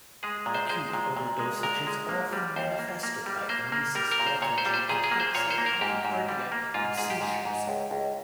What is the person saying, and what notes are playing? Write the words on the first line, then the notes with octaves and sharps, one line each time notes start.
Acute overdosage is often manifested by emesis, lethargy, ataxia, tachycardia and seizures.
G#3 G#4
A#2
C5
G#3 C5
A#2
A#2
G#3
A#2 A#4
G#3
A#3
G3
D#2 C5
A#3
A#3
G3
A#3 C5
A#3
G3 A#4
A#4
A#2
C5
A#2 C#5
C5
G3
C5
A#2 G#4
G#4
A#3
C5
A#2 C#5
C5
A#3
A#4
G#2 G4
G#2
G3
A#3
G#2 F4
G#2 G#4
G4
G#2
G#2
C#2
C#2